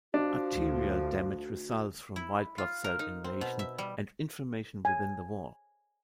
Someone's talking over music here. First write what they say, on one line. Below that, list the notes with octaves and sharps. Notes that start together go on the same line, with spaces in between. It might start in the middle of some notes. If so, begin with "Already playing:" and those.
Arterial damage results from white blood cell invasion and inflammation within the wall.
F3 D4 F#4
D2
E4
F4
A#4
D#4
C4
B2
E5
G3
G#5